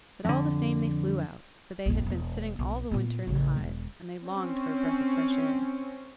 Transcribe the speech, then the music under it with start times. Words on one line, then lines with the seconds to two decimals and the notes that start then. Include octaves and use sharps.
But all the same they flew out; for they had been sitting all the winter in the hive, and they longed for a breath of fresh air.
0.25 F2 D3
1.86 A#1 F2
2.06 E1 B3
2.59 B1
2.91 A#2 B3
3.27 A1 C#3
3.56 E1
4.24 C4 C#4